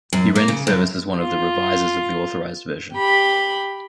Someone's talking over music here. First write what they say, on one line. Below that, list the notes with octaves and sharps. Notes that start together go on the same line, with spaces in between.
He rendered service as one of the revisers of the authorized version.
F#2
A#3
C#3
F#2
F4
G4 B5